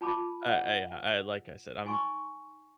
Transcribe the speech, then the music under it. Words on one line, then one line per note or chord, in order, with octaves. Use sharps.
I I I like I said, "I'm
F4 A5 B5 D6
D#5 F#5
D#4 G#5 C6 C#6